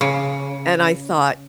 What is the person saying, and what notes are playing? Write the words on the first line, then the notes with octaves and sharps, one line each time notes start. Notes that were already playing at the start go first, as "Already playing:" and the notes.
And I thought,
C#3